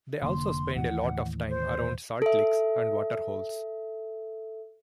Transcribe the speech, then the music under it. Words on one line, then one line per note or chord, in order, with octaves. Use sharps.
They also spend a lot of time around salt licks and water holes.
F1 D3 A#3 C6
D#2 A2 E3 F#5
C5
A4 E5